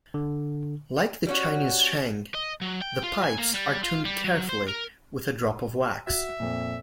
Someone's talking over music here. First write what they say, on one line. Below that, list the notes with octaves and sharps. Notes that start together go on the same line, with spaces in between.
Like the Chinese sheng, the pipes are tuned carefully with a drop of wax.
D3
G3 C#4 F#4
D#5
F#3
G5
F4
G#5
A#3
G3
F4
G3
F#3
C5
A#4
F#4 E5
F2 A#2